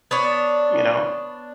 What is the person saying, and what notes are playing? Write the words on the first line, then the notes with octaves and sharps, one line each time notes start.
you know,
B3 D4 C#5